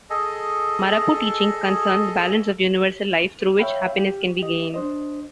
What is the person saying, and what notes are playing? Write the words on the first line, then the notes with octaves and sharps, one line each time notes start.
Marapu teachings concern the balance of universal life through which happiness can be gained.
G#4 A4 D#5
C#5 E5 F5 G5 B5
G4
G4 D#5
D4 C5 D#5